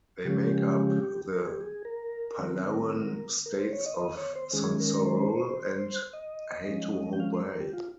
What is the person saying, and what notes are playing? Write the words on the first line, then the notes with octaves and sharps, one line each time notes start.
They make up the Palauan states of Sonsorol and Hatohobei.
C#3 F3 G#3 C#4 G4
A#4
G#4
G4
G#4
A#4
D#3 G3 C4
A#4
C5
C#5
D#5
D#5
C#5
C5
D#3 G#3 C#4 G#4
A#4
C5
D#5
F3 G#3 C#4
G5
F5
C5
A#4
G4
F4